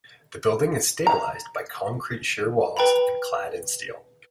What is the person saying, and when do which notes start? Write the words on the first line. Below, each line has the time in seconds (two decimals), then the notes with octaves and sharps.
The building is stabilised by concrete shear walls and clad in steel.
1.07 A#5
2.77 B4 G5 A#5 B5